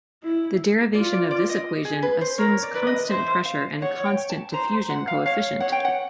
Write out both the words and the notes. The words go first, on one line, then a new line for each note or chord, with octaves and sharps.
The derivation of this equation assumes constant pressure and constant diffusion coefficient.
E4
F4 D5
D5
D5
D#5
G#4
B4
C5
A#4 C#5
D5
B4 D5
D#5
D#5
C5 E5
F5
C#5 F#5
G5
A5
C5 A#5
F#5
F5
C#5 F5
C#5 F#5
G5
F#5